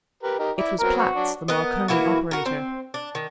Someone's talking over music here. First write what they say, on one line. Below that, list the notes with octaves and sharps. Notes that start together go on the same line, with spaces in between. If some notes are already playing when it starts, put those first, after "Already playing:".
It was Platts, the Marconi operator.
G4 A#4 B4
D#4 G4 A#4
E4 D5
F#3 B3 C4 A#4
F#4
F#3 D4
B3 A#4 D#5
E3 A#3 E4 F#4
F#4 A#4
C4
D4
D#3